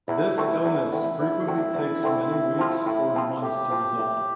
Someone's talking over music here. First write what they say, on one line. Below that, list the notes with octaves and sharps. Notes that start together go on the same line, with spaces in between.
This illness frequently takes many weeks or months to resolve.
E2 E4
D3 A3 C4
E2
D3 A3 C4
E2 E4
D3 A3 C4
E2
D3 A3 C4
A2
F3 C4 F4
A2
F3 C4 F4
A2 G4
F3 C4 F4
A2